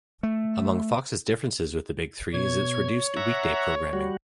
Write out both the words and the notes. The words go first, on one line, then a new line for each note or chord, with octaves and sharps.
Among Fox's differences with the Big Three is its reduced weekday programming.
A3
B2 C#5 G#6
E5 F#5 A#5
G3 F#4